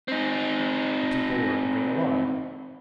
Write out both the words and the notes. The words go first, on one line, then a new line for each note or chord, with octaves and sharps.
The people were in great alarm.
C4 D#4